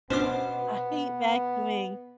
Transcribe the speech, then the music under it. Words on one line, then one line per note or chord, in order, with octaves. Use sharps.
I hate vacuuming.
B2 B3 C#4 D4 C5 D6